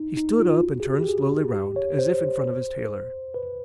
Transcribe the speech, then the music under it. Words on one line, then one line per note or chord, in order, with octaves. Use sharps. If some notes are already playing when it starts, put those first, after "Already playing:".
He stood up and turned slowly round, as if in front of his tailor.
Already playing: D#4
D#4
F4
F4
F#4
G#4
G4
F#4
G4
G#4
G4
C#5
C5
B4